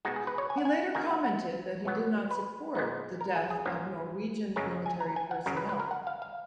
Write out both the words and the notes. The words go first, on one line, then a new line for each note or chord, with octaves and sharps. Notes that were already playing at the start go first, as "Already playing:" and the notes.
He later commented that he did not support the death of Norwegian military personnel.
B2 G#3 D#4 F#4
G#4
B4
C#5
G#5
F#5
G#5
D#3 A#3 D#4 G#5
F#5
F#5
B2 F#3 B3
B4
A#2 G#3 B3 D#4
A#4
G#4
G#4
G#2 F3 A#3 C#4
F#2 C#3 G#3 C#4 A#4
G#5
A#5
G#5
F#5
F#2 C#3 F#3 A#4
B4
B4
A#4
F#5
F5
F5